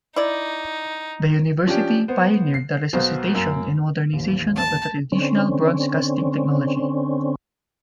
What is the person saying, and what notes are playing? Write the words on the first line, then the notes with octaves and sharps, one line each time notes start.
The university pioneered the resuscitation and modernization of the traditional bronze-casting technology.
D#4 E4 D5
F3 C#4 D4 G4
B3 C5
C7
B1 B2 C5 F5
F#2 A#3
A1 D#2
A5
D3 C4 C#4